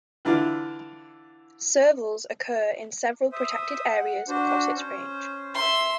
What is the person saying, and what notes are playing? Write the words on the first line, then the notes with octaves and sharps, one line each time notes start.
Servals occur in several protected areas across its range.
D3 E3 D4 E4 F4
C5 E5 D#6
F#5
D4 F#4 C5
C#4 C5
E5 C6